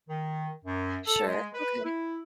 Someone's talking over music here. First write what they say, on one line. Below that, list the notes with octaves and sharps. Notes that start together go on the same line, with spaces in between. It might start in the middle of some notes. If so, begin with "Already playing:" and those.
Sure, okay.
D#3
F#2
A4
G#3
B4
E4